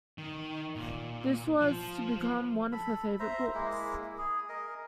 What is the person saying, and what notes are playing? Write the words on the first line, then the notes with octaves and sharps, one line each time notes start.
This was to become one of her favorite books.
D#3
A#2
F3
A4 B5
C5 E5 A#5
G#3 A#3 E4
G#4
A#4 D#5